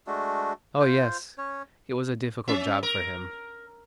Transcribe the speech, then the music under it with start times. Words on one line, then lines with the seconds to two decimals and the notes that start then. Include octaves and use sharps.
Oh, yes, it was a difficult job for him.
0.07 G#3 A3 D4 F#4
0.81 F4 C5
1.38 C#4 C#5
2.48 C#4 E5
2.83 A#4